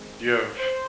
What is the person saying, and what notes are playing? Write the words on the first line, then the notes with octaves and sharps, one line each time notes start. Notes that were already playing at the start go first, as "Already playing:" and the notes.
do you have
Already playing: D#3 G#3 C4
C5